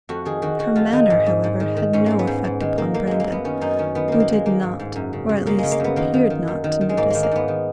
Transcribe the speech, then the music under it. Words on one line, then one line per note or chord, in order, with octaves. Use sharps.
Her manner, however, had no effect upon Brandon, who did not, or at least appeared not to notice it.
F2 F#4
D#3 G#4
D#3 F#4
D#3 F#4
F2 F4
D#3 D#4
G#2
G#2
G#2
D#3
D#3
G#2 C#4
G#2 A#3
B3
G#2
G#2
D#3 G#3
D#3 A#3
F#2 A#3
F#2 G#3
A#3
F#2 B3
D#3 C#4
F#2 D#4
D#3 C#4
D#3 B3
D#3 A#3
A#3
D#3 G#3
D#3 A#3
G#2
G#2
F#2
C#3
C#3
C#3 A#3
C#3 G#3
A#3
F#2 B3
D#3 A#3
D#3
D#3
F#2
D#3
D#3
G#3
G#2 A#3
D#3 G#3
A#3
G#2 B3
D#3